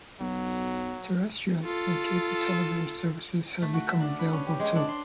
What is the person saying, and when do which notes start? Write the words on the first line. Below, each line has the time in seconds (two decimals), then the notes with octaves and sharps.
Terrestrial and cable television services have become available too.
0.20 B1 F#3
1.63 F4 A4
3.62 A3
3.74 F#4
3.88 E5
4.00 D4
4.19 B4
4.33 C#4
4.47 G4
4.60 G#3
4.75 D4
4.88 C6